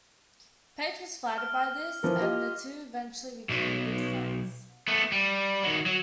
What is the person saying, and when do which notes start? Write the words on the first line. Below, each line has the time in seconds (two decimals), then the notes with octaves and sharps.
Page was flattered by this and the two eventually became good friends.
1.38 F6
2.03 E3 F3 A#4
2.20 F4 G4 D#5
3.49 B1 B2
4.87 A3 B3
5.12 G3
5.63 D#3 F#3
5.86 F#3